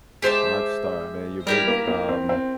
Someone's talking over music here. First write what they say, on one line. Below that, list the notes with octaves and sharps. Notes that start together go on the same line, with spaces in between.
Rockstar, man, you're big, um
G#3 G4 C5 E5 A5
G3 E4 G4 A#4
A#3
A#3
C4
C4